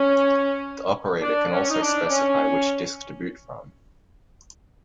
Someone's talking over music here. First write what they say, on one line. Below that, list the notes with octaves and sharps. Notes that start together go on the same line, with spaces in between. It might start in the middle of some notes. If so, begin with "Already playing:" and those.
The operator can also specify which disk to boot from.
Already playing: C#4
D4
C#4
D#4
D4
C#4